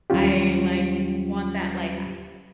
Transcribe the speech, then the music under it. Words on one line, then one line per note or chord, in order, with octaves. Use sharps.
I, like, want that, like, a
D#2 F#3 G3 C#4 F4 G4